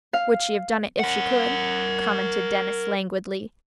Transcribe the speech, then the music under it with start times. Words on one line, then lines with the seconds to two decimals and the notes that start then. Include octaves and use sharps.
"Would she have done it if she could?" commented Denis, languidly.
0.13 F5
1.00 A#4 F#5